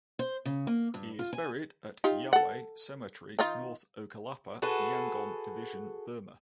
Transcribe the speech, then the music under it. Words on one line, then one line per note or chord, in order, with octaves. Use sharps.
He is buried at Yayway Cemetery, North Okkalapa, Yangon Division, Burma.
C5
C#3
A#3
G2
F4
G#5
D#4 F4 G4
A4 F#5
D#3 D#4 F4
F#4 G#4 A4 B4